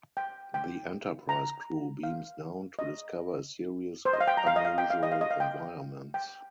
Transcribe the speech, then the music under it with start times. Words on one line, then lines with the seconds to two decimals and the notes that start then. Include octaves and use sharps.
The "Enterprise" crew beams down to discover a series of unusual environments.
0.17 G5
0.54 G5
1.29 A#5
2.03 F5
2.79 D#5
4.05 C5
4.13 D#5
4.21 F5
4.27 G5
4.37 A#5
4.47 F5
4.56 D#5
4.65 F5
4.78 G5
4.90 F5
5.03 D#5
5.11 F5
5.21 D#5
5.31 F5
5.40 G5
6.14 G5